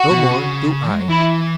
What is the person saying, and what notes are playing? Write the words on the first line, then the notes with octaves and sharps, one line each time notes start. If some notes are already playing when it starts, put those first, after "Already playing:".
"No more do I!"
Already playing: F#4
B2
C#3
G#3
F#3
E3 E4